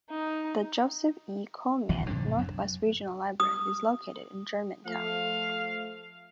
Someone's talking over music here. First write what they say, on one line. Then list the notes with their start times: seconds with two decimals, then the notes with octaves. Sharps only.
The Joseph E. Coleman Northwest Regional Library is located in Germantown.
0.10 D#4
1.89 D#1 B1 G#2 E3
2.07 G#2 C3 D4
2.38 F2 F#3
3.40 D#6
4.86 F3 A3 F5